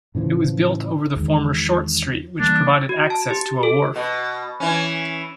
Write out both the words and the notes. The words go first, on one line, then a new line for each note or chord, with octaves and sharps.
It was built over the former Short Street which provided access to a wharf.
A2 C#3 E3 F3
E2 D#3 G#3
E3 G3 A#3 D4
F#4
A5
G4
A4
B2
E3 C#4